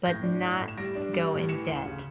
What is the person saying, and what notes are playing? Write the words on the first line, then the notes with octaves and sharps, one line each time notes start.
but not go in debt
A2 G6 A#6
D4
A2
A2
E7
G3 A#6 D7
D4
G3
A2
E3 C#7 E7
D2
C#3